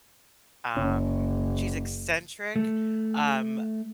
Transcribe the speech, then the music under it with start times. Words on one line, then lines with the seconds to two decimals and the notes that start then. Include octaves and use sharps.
um she's eccentric, um,
0.77 F#1 C#4
2.56 A3